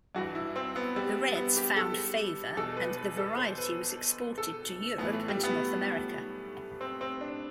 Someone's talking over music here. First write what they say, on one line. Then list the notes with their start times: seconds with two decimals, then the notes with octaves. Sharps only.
The 'Reds' found favour and the variety was exported to Europe and North America.
0.15 G2 E3 F#4
0.35 E4
0.56 C4
0.76 B3
0.96 G3
1.35 B3
1.56 G4
1.76 A4
1.97 A4
2.57 E2 B2 A4
2.77 B4
2.97 B4
3.17 A4
3.37 C5
3.58 B4
4.38 A4
4.98 A2 B3
5.03 E3
5.13 A3
5.28 G3
5.44 B3
6.81 C4
7.01 C4
7.21 D4